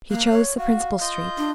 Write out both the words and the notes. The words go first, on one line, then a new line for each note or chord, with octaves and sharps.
He chose the principal street.
A#3 F5 F#6
C#5
F#4 F5
F4 D#5 G6
D4